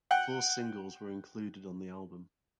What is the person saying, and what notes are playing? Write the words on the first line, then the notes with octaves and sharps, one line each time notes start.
Four singles were included on the album.
F#5 G5 F#6